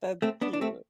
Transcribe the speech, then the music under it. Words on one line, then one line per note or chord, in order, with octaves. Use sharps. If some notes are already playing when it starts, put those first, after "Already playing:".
That's cute.
A3 C4
B3 D4
D4
A3 C4